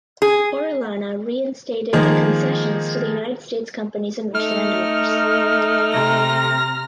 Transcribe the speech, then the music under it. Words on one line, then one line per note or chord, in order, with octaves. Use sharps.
Orellana reinstated the concessions to the United States companies and rich landowners.
G#4
D#3 F3 G#3 A#3
A3 D#4 F6
C3 A#5 A#6